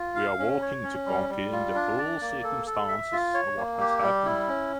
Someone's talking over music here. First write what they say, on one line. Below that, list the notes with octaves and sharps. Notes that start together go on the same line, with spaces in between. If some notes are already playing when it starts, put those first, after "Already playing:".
We are working to confirm the full circumstances of what has happened.
Already playing: F4
F5
C#4
C#5
C#4
G3
G3
F4
D4
D5
A#3
A4
A4
E5
F4
C#5
A#3
G4
G3
E4
C#4